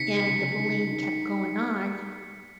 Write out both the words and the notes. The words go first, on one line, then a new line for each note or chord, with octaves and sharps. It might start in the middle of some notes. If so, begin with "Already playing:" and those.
and the bullying kept going on,
Already playing: C3 D#3 B6 C#7
C#2
D#3
D#3